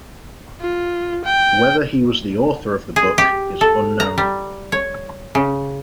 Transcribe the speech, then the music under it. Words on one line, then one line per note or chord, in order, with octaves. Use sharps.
Whether he was the author of the book is unknown.
F4
G5
G#4
G4
A4
A#5
G3
C#5
C#3